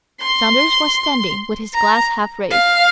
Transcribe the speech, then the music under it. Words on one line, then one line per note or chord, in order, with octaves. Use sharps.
Saunders was standing with his glass half raised.
C6
A#5
F5